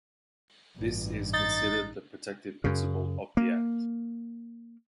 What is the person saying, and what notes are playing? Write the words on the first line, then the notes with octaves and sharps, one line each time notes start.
This is considered the protective principle of the act.
A1 G2
D#4 A6
F#2 C#3
A#3